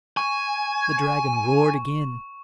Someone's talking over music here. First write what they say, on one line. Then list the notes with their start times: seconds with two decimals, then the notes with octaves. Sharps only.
The dragon roared again.
0.17 G#5 C#6